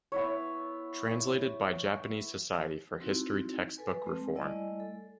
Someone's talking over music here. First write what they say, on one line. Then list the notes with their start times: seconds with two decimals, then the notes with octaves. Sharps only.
Translated by Japanese Society for History Textbook Reform.
0.12 B3 E4 C#5
3.00 C4 D#4 E4 F#4
3.78 A4 B4 G#5
4.04 G#3 A3 C4
4.34 G3 A3 E4 D5 D#5 G#5
4.80 A4